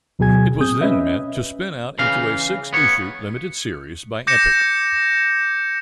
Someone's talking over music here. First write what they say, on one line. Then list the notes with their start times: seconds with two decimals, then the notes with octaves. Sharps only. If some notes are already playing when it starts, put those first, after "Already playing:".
It was then meant to spin out into a six-issue limited series by Epic.
0.19 D2 B2 F#3 G#4 G#5 G#6
0.60 C4 D#6 G6
0.81 C#4 B4 D#5 E5
1.99 C#3 E3 F5
2.73 B3 C#5
4.27 D6 G6 A#6 C#7 E7